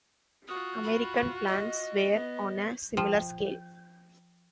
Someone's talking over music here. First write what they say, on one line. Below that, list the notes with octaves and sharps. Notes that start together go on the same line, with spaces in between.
American plans were on a similar scale.
F4 F#4 D#6
B5
D#5
B3
F3 G5